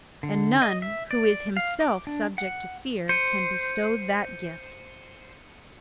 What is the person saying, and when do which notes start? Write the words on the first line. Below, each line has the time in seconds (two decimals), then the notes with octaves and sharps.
And none who is himself subject to fear can bestow that gift.
0.23 D3
0.62 D#5
0.82 E5
1.11 D5
1.57 F5
1.80 D6
2.07 D4
2.38 F#5
3.09 C5 C#7 D#7